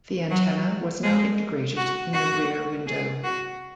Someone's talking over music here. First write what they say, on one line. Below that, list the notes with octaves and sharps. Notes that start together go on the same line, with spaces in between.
The antenna was now integrated in the rear window.
F#3
G#3
F#4
F#4
G#4
F#4